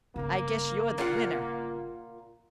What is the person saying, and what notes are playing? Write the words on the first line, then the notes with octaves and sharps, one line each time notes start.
I guess you're the winner!
G1 C#3 A#3
A#2 F4 F#5